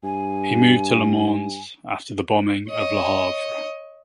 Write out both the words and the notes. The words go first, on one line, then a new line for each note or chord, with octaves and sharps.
He moved to Le Mans after the bombing of Le Havre.
G2 G#5
C#5 D#5